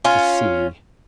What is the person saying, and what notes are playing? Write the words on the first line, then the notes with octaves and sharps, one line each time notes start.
To see.
C#4 F4